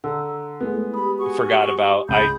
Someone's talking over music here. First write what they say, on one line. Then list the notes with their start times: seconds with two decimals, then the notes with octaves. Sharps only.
forgot about I
0.04 D3 A#5 E6
0.61 G#3 A3 B3 E4 A4
0.94 G4 B5 D#6
1.18 F#4 G#4 C#6
2.09 C#2 G#3 B5 D#6 G6